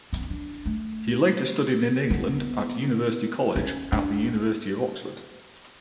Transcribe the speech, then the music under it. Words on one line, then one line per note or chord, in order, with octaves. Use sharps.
He later studied in England at University College at the University of Oxford.
B3
C#4
D4
A3
B3
C#4
D4